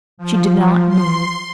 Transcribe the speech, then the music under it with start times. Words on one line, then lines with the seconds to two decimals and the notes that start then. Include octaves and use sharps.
She did not move.
0.17 F3
0.88 C6